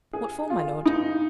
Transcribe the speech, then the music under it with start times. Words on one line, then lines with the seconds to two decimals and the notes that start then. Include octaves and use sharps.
"What for, my Lord?"
0.13 G#4
0.50 F4
0.86 D#4